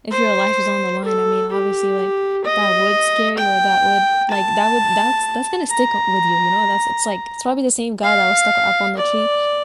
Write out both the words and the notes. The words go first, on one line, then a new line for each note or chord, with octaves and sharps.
if your life is on the line, I mean, obviously like, that would scare you or that would, like, that would that's that's gonna stick up with you, you know, that's it's like, it's probably the same guy that was stuck up on the tree.
C5
A4
G4
D#5
G5
A5
A#5
F5
D5